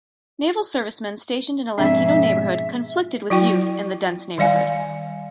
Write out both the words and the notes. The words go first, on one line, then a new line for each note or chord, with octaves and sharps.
Naval servicemen stationed in a Latino neighborhood conflicted with youth in the dense neighborhood.
G#2 B2 F3 C4 D4 G#4 E5
F#3 E4 F#4 D5 G5 C#6
D#3 G3 D5 F5 G#5